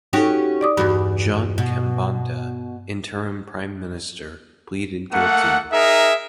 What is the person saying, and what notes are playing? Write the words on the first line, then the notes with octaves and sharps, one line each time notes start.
Jean Kambanda, interim Prime Minister, pleaded guilty.
C#4 D#4 F#4 G4 A4
D5 D6 D#6
E2 G2 F#4 B5
B2
A3 A#3 F#5
D#4 G#4 A#4 E5